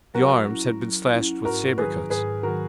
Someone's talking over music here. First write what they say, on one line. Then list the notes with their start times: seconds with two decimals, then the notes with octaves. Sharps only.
The arms had been slashed with sabre cuts.
0.14 F#3 F#4 A#4
0.47 C#4 E4
0.80 F#3
1.13 C#4 E4
1.45 G#2 F#4 A#4
1.78 D#3 F#3 G#4 B4
2.10 G#2 G#4 B4
2.43 D#3 F#3 F#4 A#4